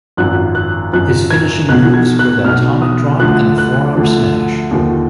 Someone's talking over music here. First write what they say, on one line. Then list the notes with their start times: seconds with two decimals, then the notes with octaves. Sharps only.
His finishing moves were the atomic drop and the forearm smash.
0.17 G#1 F#2 F3 F#6
0.55 F#6
0.93 G#1 F#2 F3 F#6
1.31 G#6
1.69 B1 B2 F#6
1.94 G#6
2.19 F#6
2.44 B1 B2 F6
2.82 D#6
3.20 D2 D3 F3 F#6
3.58 F#6
3.95 D2 D3 F3
4.71 D#2 D3 F3